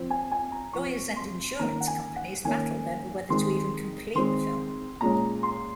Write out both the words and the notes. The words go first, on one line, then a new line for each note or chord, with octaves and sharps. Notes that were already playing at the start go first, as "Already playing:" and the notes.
Lawyers and insurance companies battled over whether to even complete the film.
Already playing: F3 C4
G#5
G#5
A#5
F3 C4 C#6
C6
D#3 A#3 C#4 A#5
F#5
G#5
F#5
D#3 A#3 C#4 G#5
D#3 G#3 C4 C6
D#3 G#3 C4 C6
A#2 G#3 C#4 A#5
C6